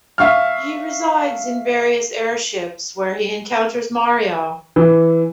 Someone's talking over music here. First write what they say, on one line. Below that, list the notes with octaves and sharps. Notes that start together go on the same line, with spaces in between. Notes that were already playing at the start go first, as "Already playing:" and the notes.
He resides in various airships where he encounters Mario.
E5 F5 C#6 F6
E3